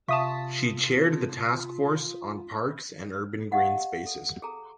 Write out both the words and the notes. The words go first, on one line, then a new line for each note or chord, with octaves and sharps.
She chaired the taskforce on parks and urban green spaces.
C3 F4 E5 F5 A5 C#6 D#6 B6
G4 D#5 F5 F#5
A4
G#4 A4 A#5